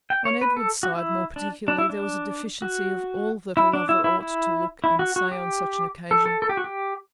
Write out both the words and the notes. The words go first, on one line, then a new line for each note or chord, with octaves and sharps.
On Edward's side, more particularly, there was a deficiency of all that a lover ought to look and say on such an occasion.
G5
C#5
B4
A4
F#4
E4
D4
D4
E4
D4
F#4
E4
D4
E4
E4
E4
E4
F#4
F#4
G4
A4
A4
A4
G4
F#4
G4